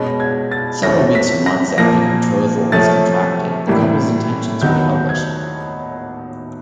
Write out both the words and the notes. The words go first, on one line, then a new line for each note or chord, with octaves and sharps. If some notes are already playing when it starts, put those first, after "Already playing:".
Several weeks or months after the betrothal was contracted, the couple's intentions were published.
Already playing: B2 G#3 C#4 A#6
G#6
A6
C3 E3 A3 C#4 A#6
B6
A#6
A#2 F3 A#3 A#6
C3 F3 A3 C#4 A6
A2 E3 G3 A#3
D#2 D#3 F#3 B3 G6
G#6